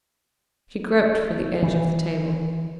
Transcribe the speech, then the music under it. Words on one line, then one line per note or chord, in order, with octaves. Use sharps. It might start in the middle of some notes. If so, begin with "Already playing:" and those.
She groped for the edge of the table.
E3